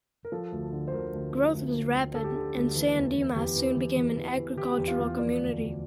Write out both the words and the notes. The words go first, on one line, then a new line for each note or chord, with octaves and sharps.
Growth was rapid, and San Dimas soon became an agricultural community.
A#4
F3 A4
D2
D3
C5
D2 A#4
D2
F3
D2
D3
D2
D3 A4
G4
D3 A4
D2
E3
E2
E3
E2 G4
E3
E2
E2
E3
E3
E3 G4
G4
E2
F4
E2
G4
F3 D5
D2
D2